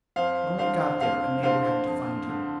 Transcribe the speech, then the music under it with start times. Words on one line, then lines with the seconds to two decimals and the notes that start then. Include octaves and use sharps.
When we got there, a neighbor had to find him.
0.16 F2 C5 F5
0.58 D3 C5 F5
1.01 F2 C5 F5
1.43 D3 C5 F5
1.86 F2
2.29 D3